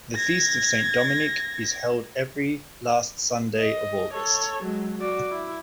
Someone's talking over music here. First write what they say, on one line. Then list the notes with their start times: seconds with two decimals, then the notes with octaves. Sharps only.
The feast of Saint Dominic is held every last Sunday of August.
0.16 G#6 A#6
3.57 D#5
4.13 A4 C#5
4.63 F#3 G#3
4.97 F#4 D5
5.30 E4